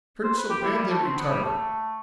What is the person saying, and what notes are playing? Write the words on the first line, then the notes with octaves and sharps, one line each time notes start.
Hurt so bad they retired him.
C5
B4
G4
E4
G3
A3
C4
B3
G3
A3